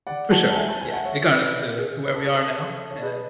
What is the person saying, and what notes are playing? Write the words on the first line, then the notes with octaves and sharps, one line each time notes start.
For sure, yeah, it got us to to where we are now, um
D5 F#5
F#5 A5
A5
E5 G#5
A5
G#5
F#5
C#5 E5
B4 D5
G#4
B4
A4
G#4
A4
C#5
G#4 B4